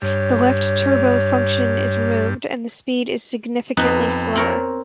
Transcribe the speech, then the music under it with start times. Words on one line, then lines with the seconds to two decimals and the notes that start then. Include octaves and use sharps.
The left-turbo function is removed, and the speed is significantly slower.
0.02 G2 C#5
3.77 F2 B3 D#4 B4
4.35 C4 A#4 C#5